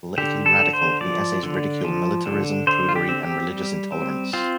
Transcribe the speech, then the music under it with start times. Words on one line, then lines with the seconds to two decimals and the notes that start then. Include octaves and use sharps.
Politically radical, the essays ridicule militarism, prudery, and religious intolerance.
0.18 D3 G4
0.46 A4
0.59 D3
0.73 C5
1.01 F3 D5
1.43 D3
1.84 F3
2.26 D3
2.67 D3 C5
2.89 F4
2.96 G4
3.09 C4
3.23 G4
3.51 G3
3.92 C4
4.33 C4 F4